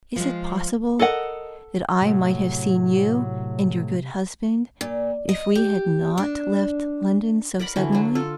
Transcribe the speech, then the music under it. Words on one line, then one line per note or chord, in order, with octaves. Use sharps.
Is it possible that I might have seen you and your good husband if we had not left London so suddenly?
F3 G#3
A4 A#4 D#5 F#5
A2 C3 F#3
A#2
D#5
G4
D4
A#4 D5 F#5 B5
D3 E3 F#4 C#5
F#3 D4
F4 A4